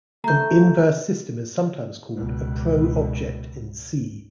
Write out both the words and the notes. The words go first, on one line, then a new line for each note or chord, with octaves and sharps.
An inverse system is sometimes called a "pro-object" in "C".
A3 A#5 G6
C#2 B2